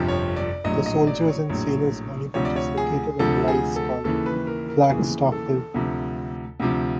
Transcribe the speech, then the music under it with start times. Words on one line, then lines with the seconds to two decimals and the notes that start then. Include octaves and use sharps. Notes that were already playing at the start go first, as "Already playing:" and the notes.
The Soldiers and Sailors Monument is located on a rise called Flag Staff Hill.
Already playing: G1 F2 C3 F3
0.08 C#5
0.36 D5
0.64 A#1 A2 F#3 D#5
0.86 D#5
1.07 D5
1.28 C#5
1.49 A#1 A2 F#3
2.34 D2 C3 F3 C#5
2.45 D5
2.56 C#5
2.78 G#4
3.19 D2 C3 F3 A4
3.48 G#4
3.76 A4
4.04 D#2 C#3 E3 A4
4.26 B4
4.47 A#4
4.68 A#4
4.89 D#2 C#3 E3 G#4
5.32 A4
5.74 D2 C3 F3
6.59 D2 C3 F3